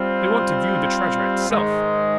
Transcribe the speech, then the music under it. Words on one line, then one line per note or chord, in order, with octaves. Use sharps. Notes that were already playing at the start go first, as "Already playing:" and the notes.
They want to view the treasure itself.
Already playing: G3 C4 F4
G#2 D#3 G#3